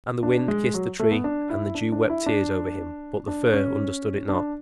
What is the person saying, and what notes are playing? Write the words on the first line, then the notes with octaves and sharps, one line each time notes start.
And the Wind kissed the Tree, and the Dew wept tears over him; but the Fir understood it not.
D4
G#3
F#3
A3
B3
D4
E4
D4
D4
E4
D4
D4
C#4
D4